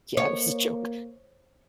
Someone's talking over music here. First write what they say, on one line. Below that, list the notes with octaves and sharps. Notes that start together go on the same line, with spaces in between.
Yeah, it was a joke.
A#3 C#5